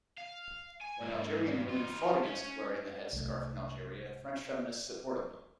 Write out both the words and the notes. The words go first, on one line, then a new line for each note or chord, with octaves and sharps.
When Algerian women fought against wearing the headscarf in Algeria, French feminists supported them.
F5
G#5
G#2 A#3
G2
D#4 F4
C#4
C2 A3